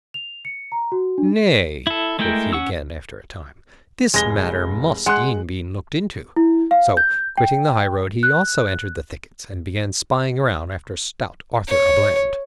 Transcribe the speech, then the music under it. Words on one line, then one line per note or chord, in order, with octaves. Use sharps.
"Nay," quoth he again, after a time, "this matter must e'en be looked into." So, quitting the highroad, he also entered the thickets, and began spying around after stout Arthur a Bland.
F7
C#7
A#5
F#4
D4
E4 A4
G#3 A3 E4 A#4 G5
C#4 F#5 C#6 E6
F1 G#3 A#6 G7
G#3 F#5 C6 F#6
E4
F5
G6
G5
F#6
C#5